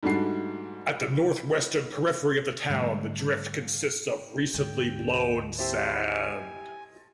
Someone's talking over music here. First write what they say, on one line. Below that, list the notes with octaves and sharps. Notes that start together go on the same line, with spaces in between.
At the northwestern periphery of the town the drift consists of recently blown sand.
G#2 G3 A3 D4 F#4 C7
G#2 D3 G3 A3
D2 G#2 G5
C4 E4 G4 C5 A5
G#5